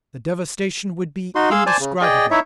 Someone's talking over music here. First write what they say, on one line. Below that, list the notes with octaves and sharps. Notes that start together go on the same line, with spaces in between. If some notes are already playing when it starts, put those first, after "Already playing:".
The devastation would be indescribable.
D#4 F#4 C6
G#4 F5 C6 E6
C5 D5 G#5 A5
C#3
G#4 D5 D#5 G5
D#4 E4 C#5 E5